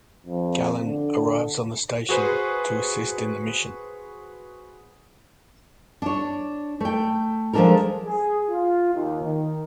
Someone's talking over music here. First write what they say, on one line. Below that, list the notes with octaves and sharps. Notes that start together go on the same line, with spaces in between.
Galen arrives on the station to assist in the mission.
F2
D3
F#4 G#4 B4 C5
D4 C#5
A3 G5
F3 G#3 A#3 D4 A4 A#4
G#4
F4
D#2
D#3